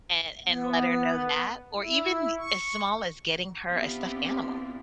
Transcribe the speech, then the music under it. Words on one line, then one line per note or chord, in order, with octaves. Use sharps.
a and let her know that, or even as small as getting her a stuffed animal,
B3
E4
C#6
B3 C4 D4 E4 F4 G4